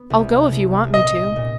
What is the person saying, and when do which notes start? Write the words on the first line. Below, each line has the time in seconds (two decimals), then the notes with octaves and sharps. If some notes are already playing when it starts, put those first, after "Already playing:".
"I'll go if you want me to."
Already playing: B3
0.10 C2
0.52 C2
0.94 A#2 D#5
1.36 A#2